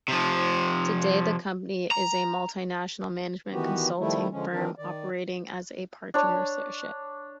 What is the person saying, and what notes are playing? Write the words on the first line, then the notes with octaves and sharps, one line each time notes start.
Today the company is a multi-national management consulting firm operating as a partnership.
C3 F3
A#5
D#3 E3 B3 F#4 G4
D#3 F3 G3 A3 E4
D3 F3 G#3 C#4
D#3 E3 C4 D4 A#4
D#3 D5
D4 C#5